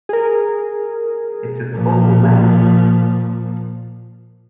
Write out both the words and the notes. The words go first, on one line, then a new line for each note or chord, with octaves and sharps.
It's a total mess.
G#4 A#4
A#2 F3